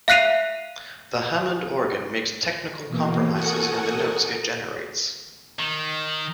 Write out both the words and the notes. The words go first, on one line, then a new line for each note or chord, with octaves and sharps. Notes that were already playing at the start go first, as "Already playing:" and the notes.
The Hammond organ makes technical compromises in the notes it generates.
E5 F5 F#6 C7 D#7 F7
B2 E3 A#3
A4 A#4 F#5 G#5 C#6 D#6
D#3